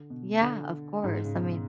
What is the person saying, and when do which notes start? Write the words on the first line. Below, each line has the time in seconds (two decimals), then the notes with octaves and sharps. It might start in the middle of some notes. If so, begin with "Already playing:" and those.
Yeah, of course. I mean,
Already playing: D3
0.10 B2
0.41 D3
1.04 G#2
1.24 C#3
1.34 B2